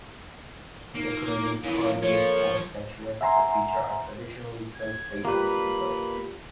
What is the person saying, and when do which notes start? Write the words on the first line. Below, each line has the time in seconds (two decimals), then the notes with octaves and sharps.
Decorative carvings or statuettes of the creature are traditionally placed facing the window.
0.95 A#3 D#4
1.63 F#2 E3 A#3 E4 F4 F5
2.02 F3 A4 C#5
3.21 E5 F#5 G#5 A#5 C6
4.76 G#6
5.25 A#3 F4 G4 B4 D5 B5